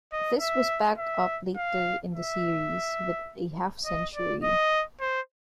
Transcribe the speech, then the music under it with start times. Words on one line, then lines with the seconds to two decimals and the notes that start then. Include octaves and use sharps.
This was backed up later in the series with a half century.
0.13 D#5
0.41 E5
0.98 E5
1.57 F5
2.14 E5
3.86 D#5
4.15 D5
4.43 D#5
5.01 C5